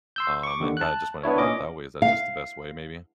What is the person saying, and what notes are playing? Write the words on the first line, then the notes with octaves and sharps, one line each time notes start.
Um, and kinda just went about it that way. Is that just the best way maybe?
C6 E6 G6
C#6 D6
D#2 D3
A5 F#6
B3 D4 E4 C#5
A#2 C#4 D#5 D6
F5